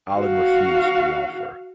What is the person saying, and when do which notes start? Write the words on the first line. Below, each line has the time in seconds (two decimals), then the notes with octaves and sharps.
Allen refused the offer.
0.14 F#4 F5